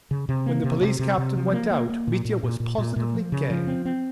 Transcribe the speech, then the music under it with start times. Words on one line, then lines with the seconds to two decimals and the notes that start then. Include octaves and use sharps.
When the police captain went out, Mitya was positively gay.
0.11 C#3
0.29 C3
0.46 A#3
0.64 C3
0.82 C3
0.99 C3
1.18 C3
1.36 F3
1.53 A#3
1.71 A#3
1.89 A#3
2.07 A#2
2.25 A#2
2.43 A#2
2.60 A#2
2.78 A#2
2.96 A#2
3.14 F3
3.32 C#3
3.50 F3
3.67 C4
3.86 C4